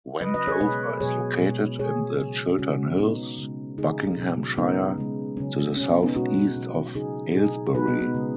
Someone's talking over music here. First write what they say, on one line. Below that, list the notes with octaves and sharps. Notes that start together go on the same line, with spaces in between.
Wendover is located in the Chiltern Hills, Buckinghamshire, to the south-east of Aylesbury.
C#3 F#3 B4 D#5
B4 D#5
G#4 C#5
B2 G#3 B4 D#5
B2 F#3 G#4 C#5
B2 G#3
B2 G#3 G#4 C#5
C#3 F#3
C#3 G#3 C#4 F#4
B2 G#3 B3 D#4
C#3 G#3
C#3 G#3 D#4 G#4
B2 F#3
C#3 G#3 B3 D#4
C#3 G#3
C#3 F#3 C#4
B2 G#3 C#4
B3
B3 D#4
B2 G#3 C#4 F#4
B2 F#3
C#3 F#3 D#4 G#4
B2 F#3 D#4 G#4
B2 G#3 F#4 B4
B3 D#4
B3 D#4
C#3 G#3